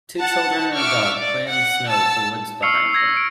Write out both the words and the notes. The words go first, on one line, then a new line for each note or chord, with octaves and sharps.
Two children and a dog play in the snow with a woods behind them.
F#5 A5
E5 C#6 D6 E6 F6
D5
F#5
A5 E6
C#6 E6 F6 C7 C#7 F7
E6 G#6 A#6
D7